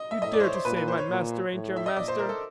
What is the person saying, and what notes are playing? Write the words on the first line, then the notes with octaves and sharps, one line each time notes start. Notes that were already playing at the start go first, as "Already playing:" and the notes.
You dare to say my master ain't your master!
Already playing: D#5
E5
A2 D#5
D5
C5
C#5
C5
A#2 B4
B4
C5
C#5
A#2
A2
E5
D#5
A#2 D5
C5
A#4
A4